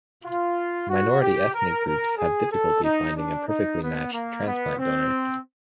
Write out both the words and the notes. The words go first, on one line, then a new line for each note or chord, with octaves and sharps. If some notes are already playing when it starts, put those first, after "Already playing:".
Minority ethnic groups have difficulty finding a perfectly matched transplant donor.
F4
F#4
G4
A#4
A#4
G#4
A4
D#4
D4
D#4
B3
A#3
B3
C4